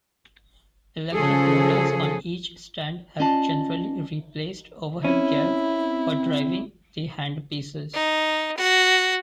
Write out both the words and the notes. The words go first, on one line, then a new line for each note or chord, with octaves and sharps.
Electric motors on each stand have generally replaced overhead gear for driving the handpieces.
C#3 F3 G#4 A4
C#4 F4 D5 D#5 A5
C4 C#4 E4
D#4
F#4